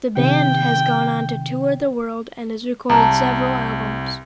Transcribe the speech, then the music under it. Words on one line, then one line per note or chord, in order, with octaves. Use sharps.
The band has gone on to tour the world and has recorded several albums.
C3 D#3 G5
C2 G#4 A5 A#5